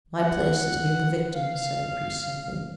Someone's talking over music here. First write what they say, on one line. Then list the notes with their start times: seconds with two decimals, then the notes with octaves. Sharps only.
"My place is near the victims," said the priest, simply.
0.19 F#5
1.35 F5